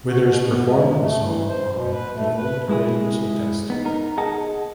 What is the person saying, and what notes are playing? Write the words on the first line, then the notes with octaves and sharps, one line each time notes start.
Withers performed the song on "The Old Grey Whistle Test".
F#4
B2
B3
G#3
A3
E3
C5
B2
B4
A3
B4
G#3 E4 G#4
B3 D#4
D#4 A#4
G#4 D#5 F#5 A5